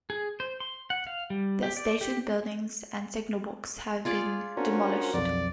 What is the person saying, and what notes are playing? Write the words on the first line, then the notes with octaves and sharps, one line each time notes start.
The station buildings and signal box have been demolished.
G#4
C5
C6
F#5
F5
G3
G4
D5
G4
F4 G#4 D5
C#4 D4 F#4 A#4 C5
B1 F2 D5